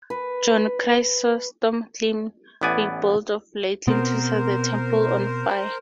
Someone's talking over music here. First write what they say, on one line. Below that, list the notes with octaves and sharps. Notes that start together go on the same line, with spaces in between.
John Chrysostom claimed a bolt of lightning set the temple on fire.
B4
A1 E3 B3 D5 G#5
B2 B3 C4 A#4 C5